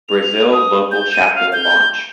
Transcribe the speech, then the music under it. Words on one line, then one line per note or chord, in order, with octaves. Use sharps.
Brazil Local Chapter launch.
F7
D#6
G6
D#7
F5
G6